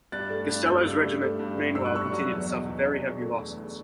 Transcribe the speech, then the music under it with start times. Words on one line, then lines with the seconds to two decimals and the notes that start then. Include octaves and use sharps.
Gastello's regiment meanwhile continued to suffer very heavy losses.
0.12 G2 F#6 A6
0.30 A3
0.49 G2
0.66 G2 E6 G6
0.85 G2
1.03 A3
1.21 A3
1.39 G2
1.58 A3
1.75 G2 E6
1.86 F#6
1.94 G2 C#6 E6
2.12 F#3
2.30 E2
2.47 B2
2.66 E2
2.85 E2
3.02 E2
3.20 A3
3.38 E2
3.57 E2